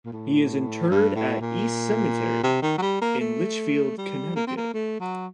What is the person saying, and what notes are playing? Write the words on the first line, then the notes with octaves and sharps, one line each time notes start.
He is interred at East Cemetery, in Litchfield, Connecticut.
A#2
A2
G2
A2
A#2
C3
D#3
F#3
G3
A#3
A3
G3
A#3
C4
A#3
A3
F#3